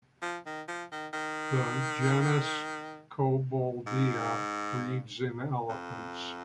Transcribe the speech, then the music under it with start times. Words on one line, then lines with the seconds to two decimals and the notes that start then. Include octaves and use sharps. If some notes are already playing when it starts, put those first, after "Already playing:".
The genus "Cobboldia" breeds in elephants.
0.22 F3
0.46 D#3
0.68 F3
0.91 D#3
1.13 D#3
3.87 G#2
5.69 F2